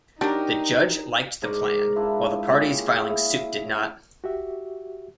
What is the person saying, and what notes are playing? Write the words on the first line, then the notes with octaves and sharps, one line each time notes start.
The judge liked the plan, while the parties filing suit did not.
F#3 D4 D#4 G4 A#4 G5
G#2 A#4 D5 C#6
D4 E4 F4 B4
A#2 C#4 G4 G#4
E4 G#4 F5
F#4 G4 E5